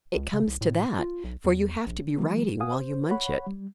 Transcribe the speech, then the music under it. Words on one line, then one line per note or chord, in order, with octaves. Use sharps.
"It comes to that, for you have to be writing while you munch it."
C#2
C#3
C2
A2
F4
B1
E2
A#1
E3 F#3 G#3 A#3
F5 F#5 G#5 D#6
C5
C#5 F#5 B5
G3